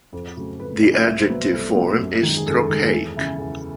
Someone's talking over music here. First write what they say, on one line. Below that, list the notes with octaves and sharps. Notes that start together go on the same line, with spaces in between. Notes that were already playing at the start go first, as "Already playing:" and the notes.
The adjective form is "trochaic".
F2
C#3 F#3 A3
F2 B4
C#3 F#3 A3 D5
D5
C2 E5
C5
B2 F#3 A#3 B4
C5
C2 A4
B2 F#3 A#3
F#2
D#3 G#3
G#4
F#2 A4
D#3 G#3
E2
C#3 E3
E2